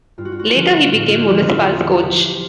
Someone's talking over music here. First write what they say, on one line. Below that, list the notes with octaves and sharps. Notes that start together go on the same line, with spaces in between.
Later, he became Municipal's coach.
G2 F4
F#4
F4
F#4
F4
D3 F3 F#4
F4
F#4
F4
F#4
A2 F4
F#4
F4
F#4
F4
F3 F#4
F4
F#4
F4
E2
F#4
C3 F3 G4